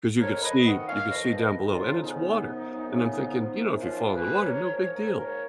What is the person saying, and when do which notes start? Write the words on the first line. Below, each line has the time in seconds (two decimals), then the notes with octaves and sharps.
'Cause you could see you could see down below, and it's water, and I'm thinking, "You know, if you fall in the water, no big deal,
0.20 F2 A#4 C#5
0.42 F2 B4 D#5
0.65 D#3 D#5 F#5
0.87 D#3 C#5 F5
1.10 F2 B4 D#5
1.33 F2
1.40 B4 D#5
1.56 D#3
1.70 C#4 F4
1.78 F2
2.00 C#3 B3 D#4
2.24 F#2
2.46 F3
2.69 F#2
2.92 C#3
3.15 F3
3.36 F3
3.59 F#2
3.82 F3 C#4 F4
4.05 A#3
4.12 G#4 B4
4.27 G#2
4.43 A#4 C#5
4.50 G#2
4.72 F3 A#4 C#5
4.95 G#2 A#4 C#5
5.17 A#3 A#4 C#5